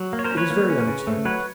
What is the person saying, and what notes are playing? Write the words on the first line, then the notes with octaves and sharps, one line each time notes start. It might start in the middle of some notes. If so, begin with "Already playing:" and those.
It is very unexpected.
Already playing: F#3
A#3
C#5
A#4 C5
C#4
B4 C#5
A#3
C#4
C#3
A3
F#3 B4 C#5